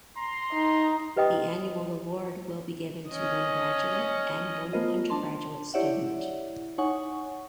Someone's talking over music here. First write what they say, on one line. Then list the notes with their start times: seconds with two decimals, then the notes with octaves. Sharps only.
The annual award will be given to one graduate and one undergraduate student.
0.16 A#5 C6
0.53 D#4
1.17 G4 B4 D#5 G5 D#6
3.10 C#4 D#5
4.73 A3 B3 F4 A#4 C5 D#5
5.10 D4 A5 C6
5.74 E4 G4 C#5 D5 E5 F#5
6.78 D#4 C#5 F#5 G#5 C#6